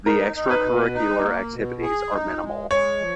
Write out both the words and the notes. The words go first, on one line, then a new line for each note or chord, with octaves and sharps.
The extracurricular activities are minimal.
D#4 A#4
D#4
B4
B2
D#4
A#3
B2
G#4
D#4
G#3
G#3 C#5
F3